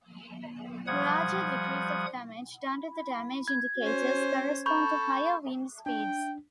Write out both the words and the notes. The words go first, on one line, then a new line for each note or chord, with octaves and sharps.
Larger degrees of damage done to the damage indicators correspond to higher wind speeds.
F3 G3 F#5 D#6 G#6
G#6
C#4 C5
A4 B5 C#6 G6
D4 G5